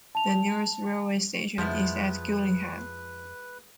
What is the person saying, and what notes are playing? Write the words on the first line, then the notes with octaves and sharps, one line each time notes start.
The nearest railway station is at Gillingham.
A5 F7
F2 F3 G#3 B3 E4 B4